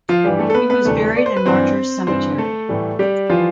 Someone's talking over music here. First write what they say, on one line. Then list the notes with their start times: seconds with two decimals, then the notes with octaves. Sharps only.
He was buried in Martyrs Cemetery.
0.09 F3 F4
0.24 G2 E3 G3 G4
0.39 A3 A4
0.50 A4
0.55 B3 B4
0.70 B3 B4
0.85 D2 C3 E3 G3 A3 A4
1.17 D5
1.26 C5
1.37 B4
1.46 G2 E3 G3 C4 C5
2.07 G2 E3 G3 C4 C5
2.38 A3 A4
2.69 A2 E3 G3
2.99 G3 G4
3.30 E3 F3 G3 F4